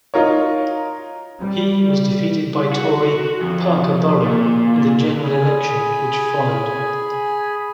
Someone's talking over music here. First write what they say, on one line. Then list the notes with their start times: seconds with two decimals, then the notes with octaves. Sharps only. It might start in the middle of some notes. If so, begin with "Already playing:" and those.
He was defeated by Tory Parker Burrell in the general election which followed.
0.14 D#4 F4 A#4 C#5
1.40 G3
2.73 F#4
3.41 F2
4.22 A#2
5.24 G#4 G#5 B5